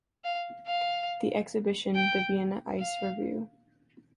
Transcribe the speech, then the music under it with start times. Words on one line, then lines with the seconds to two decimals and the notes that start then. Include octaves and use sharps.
The exhibition The Vienna Ice Revue.
0.24 F5
0.67 F5
1.95 G5
2.79 F5